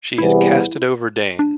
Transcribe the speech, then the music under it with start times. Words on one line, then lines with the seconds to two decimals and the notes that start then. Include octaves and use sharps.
She’s cast it over Dane.
0.18 E2 C3 E3 G3 B3 E4
1.39 D4